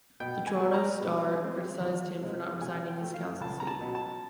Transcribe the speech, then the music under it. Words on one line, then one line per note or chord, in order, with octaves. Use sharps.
The "Toronto Star" criticized him for not resigning his council seat.
B2 G5
G#5
F#3 B3
A#5
B2
G#3 C4
E2
C3 F3 G#3
C3 G#5
G5
F3 A3
F5
C#2 A5
A#5
A5
B2 F#3
A5